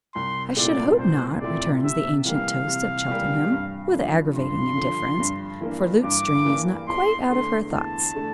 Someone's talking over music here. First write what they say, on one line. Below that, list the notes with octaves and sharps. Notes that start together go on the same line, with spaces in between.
"I should hope not," returns the ancient toast of Cheltenham, with aggravating indifference, for Lutestring is not quite out of her thoughts.
C2 C6
A#2 A3 C4 E4 D5
C2 C5
A#2 A3 C4 E4 D5
C3 E5
E3 G3 A#3 F5
C3
E3 G3 A#3
G2
D3 F3
G2 C6
D3 F3
G2
E3 A#3 D4
G2 D6
E3 A#3 D4
E2 C6
D3 A3 C6
E2 A5
D3 A3